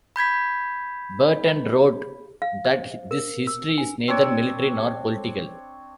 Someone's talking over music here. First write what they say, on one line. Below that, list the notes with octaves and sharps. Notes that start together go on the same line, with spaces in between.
Berton wrote that this history is neither military nor political.
B5 G6 G#6 B6
F5
C5
A#4
E6
G#5
C4 D4 C#5